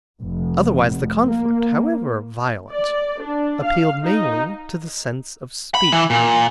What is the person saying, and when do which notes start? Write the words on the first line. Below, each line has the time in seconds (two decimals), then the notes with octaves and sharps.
Otherwise the conflict, however violent, appealed mainly to the sense of speed.
0.20 F1
1.26 A#3
2.72 D5
3.23 D4
3.66 F5
4.05 D#4
5.75 B5
5.92 E3
6.10 A#2